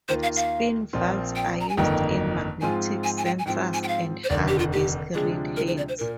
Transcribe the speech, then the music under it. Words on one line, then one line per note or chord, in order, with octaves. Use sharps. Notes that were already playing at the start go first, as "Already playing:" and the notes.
Spin valves are used in magnetic sensors and hard disk read heads.
D#2 D#3 A#3 F4 C5
F5
F5
A#1 A#2 F3 C4 F4
G5
A#5
G#5
G1 F2 D#3 A#3 D#4 G5
G#2 F3 G#3 C4 F4 G#5
G#5
G#5
G5
G#5
G#2 F3 C4 G5
G#5
G5
F5
C5
F1 D#2 D3 D5
G4
F4
G4
D2 C3 F3 G#3 D4 G#4
A#4
C5
D5
C5
A#2 A#4